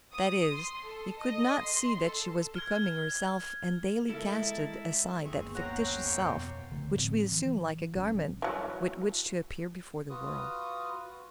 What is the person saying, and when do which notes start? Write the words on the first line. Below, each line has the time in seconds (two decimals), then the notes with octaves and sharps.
That is, he could not see that she was becoming herself and daily casting aside that fictitious self which we assume like a garment with which to appear before the world.
0.11 D#6
0.53 C6
0.84 A4
1.17 D#5
1.62 C6
2.01 A4
2.55 F6 G#6
4.09 E2 G#3 E4 A4 A#4 E5 A6
5.24 G1 D#2 G#3 B3 C4 C#6
5.55 C4 C#4 C#5 F#5 A#5
6.06 F2 B2 A#3 C#5 G5 C#6
6.72 D2 D3 F3 A3
6.96 A2 F3 C4
7.32 E3
7.96 A#1 G3 C#4
8.42 E3 F#3
10.10 F4 F#4 B4 D#6